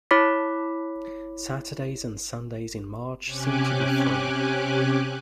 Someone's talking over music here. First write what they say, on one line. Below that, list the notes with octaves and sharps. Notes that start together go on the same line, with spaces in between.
Saturdays and Sundays in March seem to be free.
E4 C#5 B5 D6 B6
C3 C#4 G4 G#5 D6 F#6